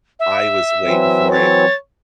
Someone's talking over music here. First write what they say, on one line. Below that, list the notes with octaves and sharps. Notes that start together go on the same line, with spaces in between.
I was waiting for it.
E5
E3 F#3 C4
C#5 A6